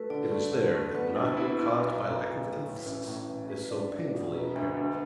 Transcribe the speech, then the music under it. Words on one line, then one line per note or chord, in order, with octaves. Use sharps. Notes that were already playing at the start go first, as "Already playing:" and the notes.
It is there that monotony caused by lack of emphasis is so painfully apparent.
Already playing: A3 F#4 A4 B4
D3 D5
A3
D3
A3
B3 B4
D2
E4
E4
B1
B1
B1
A2
A2
A1
A2
A1
A3 B4
D4
D4
B2
E1 B4
D2
D2